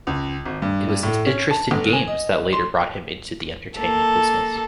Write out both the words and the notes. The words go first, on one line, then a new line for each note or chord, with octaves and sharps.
It was his interest in games that later brought him into the entertainment business.
C#2
G#1
G2
G2
A2
C#4
A5
G1
G#5
D#5
C6
A#3 A4